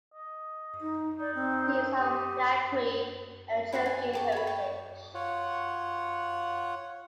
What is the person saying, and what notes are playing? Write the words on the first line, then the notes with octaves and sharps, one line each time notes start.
He is of Yaqui and Cherokee heritage.
D#5
D#4
D#4 D5
C4
G4 D#6
E4 F#4 G4 F#5
G#5
G4 A4 C#6
C#5 B5
C#5 G5 A5
F4 C#5 F#5